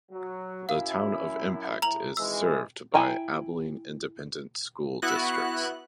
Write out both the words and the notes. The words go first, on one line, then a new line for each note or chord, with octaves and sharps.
The Town of Impact is served by the Abilene Independent School District.
F#3
F#2 E4 F5
A2 A#5 F7 F#7
G#1 E3 G#3 E6
E4 G5 G#5 A#5
B3 E4 F#4 F#6